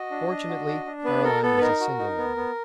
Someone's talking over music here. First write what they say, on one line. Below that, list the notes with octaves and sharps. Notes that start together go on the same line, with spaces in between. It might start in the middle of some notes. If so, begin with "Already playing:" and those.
Fortunately, Caroline was a single woman.
Already playing: F#4 D#5
D4
D4
F#4
D4
D4
B3 B4
A4 A#4
B3 A4
B4
D#4 A#4
F#4
D#4
B3
B3